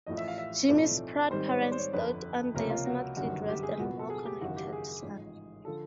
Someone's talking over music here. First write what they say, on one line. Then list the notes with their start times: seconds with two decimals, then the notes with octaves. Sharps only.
Jimmy's proud parents dote on their smartly dressed and well-connected son.
0.07 A1 A2 F3 D#5
0.18 E5
0.28 F5
0.38 E5
0.69 B1 A2 F3 A3 C4 D5
1.30 G#2 D#3 G3 C4 C5
1.47 C#5
1.61 D5
1.72 C5
1.78 C#5
1.93 G1 F2 D3 B4
2.55 C#2 C3 F3 A#3 C#4 A#4
2.70 F4
2.86 F#4
3.17 G1 F#2 D#3 G3 F#4
3.48 G4
3.63 G#4
3.79 C2 A#2 F#3 B3 F#4
3.99 A4
4.10 G#4
4.25 G4
4.41 G#1 F#2 C#3 E3 F#4
4.56 G4
4.72 G#4
5.03 A1 G#2 F3
5.65 D3 F3 A4